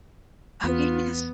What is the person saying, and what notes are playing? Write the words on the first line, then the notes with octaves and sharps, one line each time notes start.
Oh, yes.
E2 B3 F4